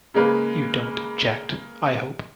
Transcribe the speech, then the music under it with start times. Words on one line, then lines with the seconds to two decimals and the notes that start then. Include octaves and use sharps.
You don't object, I hope?
0.14 C#3 G#3 A#3 B4